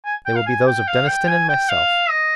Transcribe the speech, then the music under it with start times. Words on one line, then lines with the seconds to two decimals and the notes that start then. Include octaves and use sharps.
They will be those of Deniston and myself.
0.05 G#5
0.26 G5
0.36 F5
0.47 G#5
0.67 G5
0.87 F5
1.08 G5
1.28 G#5
1.49 G5
1.69 F5
2.10 D#5